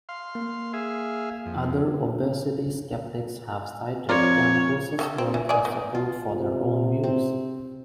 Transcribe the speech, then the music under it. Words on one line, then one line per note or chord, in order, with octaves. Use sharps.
Other obesity skeptics have cited Campos's work as support for their own views.
F5 C6
A#3
G#4 E5 F5
F2
F2 F4 A#4 C#5 D5
D#3 F#4 A4
C4
E3
G#3 G#4 D5
B3 D#4
F4
C3
C4